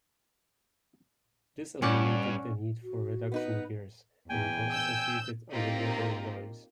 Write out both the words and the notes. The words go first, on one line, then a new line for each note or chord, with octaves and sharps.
This eliminated the need for reduction gears and their associated underwater noise.
G2 C#4 D5 F#5
F#4
B3 D#4 B4
E2 G5 G#5
E6 G6
A#3 C4 D#4 F4 G4 A#4